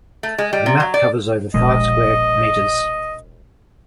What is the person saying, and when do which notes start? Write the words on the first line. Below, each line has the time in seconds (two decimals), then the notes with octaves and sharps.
The map covers over five square meters.
0.23 A3
0.38 G#3
0.53 G3
0.66 C3
0.80 F#3
0.94 D5
1.54 E1 A#1 A#2 G#3 D#5